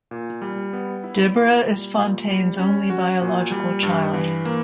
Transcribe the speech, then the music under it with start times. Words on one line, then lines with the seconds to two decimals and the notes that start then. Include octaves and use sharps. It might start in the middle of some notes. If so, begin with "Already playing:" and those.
Deborah is Fontaine's only biological child.
0.11 A#2
0.42 G3
0.73 B3
1.04 E4
1.35 A#2
1.66 G3
1.97 A#2
2.28 G3
2.59 C#4
2.90 F#4
3.22 A#2
3.52 G3
3.83 G2
4.14 E3
4.45 A#3